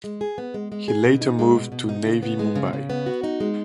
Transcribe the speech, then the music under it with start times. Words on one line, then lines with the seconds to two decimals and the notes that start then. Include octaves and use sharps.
He later moved to Navi Mumbai.
0.04 G#3
0.21 G#4
0.38 B3
0.54 G#3
0.72 G#3
0.88 G#4
1.05 B2
1.21 D#4
1.39 G#3
1.55 B2
1.72 B2
1.89 D#4
2.05 C#3
2.23 B3
2.39 G#3
2.55 C#3
2.73 C#3
2.90 B3
3.06 F#4
3.24 D#4
3.40 G#3